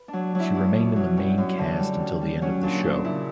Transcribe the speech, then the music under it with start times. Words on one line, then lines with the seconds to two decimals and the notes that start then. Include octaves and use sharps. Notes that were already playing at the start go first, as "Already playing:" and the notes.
She remained in the main cast until the end of the show.
Already playing: B4
0.08 D4
0.13 F#3
0.35 F#3 E4
0.55 E2
0.76 B2
0.96 F#3
1.17 G3 C#4
1.38 F#2
1.58 D3
1.80 G3
2.00 G3
2.21 G3
2.42 F#3 C#4
2.63 A#2 D4
2.83 A#2 D4
3.04 C#3 E4